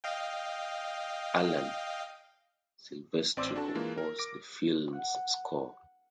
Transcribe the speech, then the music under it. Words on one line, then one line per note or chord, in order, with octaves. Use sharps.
Alan Silvestri composed the film's score.
D#5 F5 G5
A1 C4 D5 C6 D6 E6
D4 F#4 A4 A5
E3 G#3 A#3 F4
A#4
D6 A#6 D7
F#5